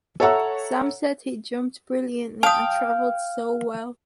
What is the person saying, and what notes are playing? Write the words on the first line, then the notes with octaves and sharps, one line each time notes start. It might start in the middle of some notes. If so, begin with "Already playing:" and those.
Sam said he jumped brilliantly and travelled so well.
A4 C#5 E5 F#5 A#5 E6
F5 G5 A5 D#6